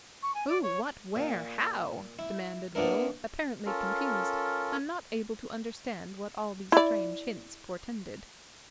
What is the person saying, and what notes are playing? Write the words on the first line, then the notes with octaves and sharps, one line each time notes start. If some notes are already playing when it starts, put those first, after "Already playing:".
"Who--what--where--how?" demanded Will, apparently confused, and not able to understand what all these strange hints portended.
C#6
G#5
D5
C#5
A#2
E4
A#3 B3 D4 E4 A#4
C#4 F4 A4 A#4
E4 D5